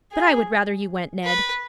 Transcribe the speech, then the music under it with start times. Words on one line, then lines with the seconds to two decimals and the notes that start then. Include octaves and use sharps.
But I would rather you went, Ned.
0.12 G#4
1.24 B4